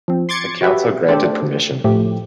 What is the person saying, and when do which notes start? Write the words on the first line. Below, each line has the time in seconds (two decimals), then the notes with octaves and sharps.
The council granted permission.
0.08 F3 C4
0.29 C6 D6 G#6 A6 C#7
0.61 F#4 G4 B4 E5
1.09 A3 D4 G4 A4 C5 D5
1.84 A2 F3 A3 G4